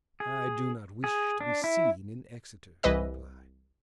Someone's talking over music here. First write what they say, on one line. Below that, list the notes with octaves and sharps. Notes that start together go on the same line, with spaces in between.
"I do not wish to be seen in Exeter," he replied.
G#4
G#4
D4
E4
C2 E3 B4 D#5 E6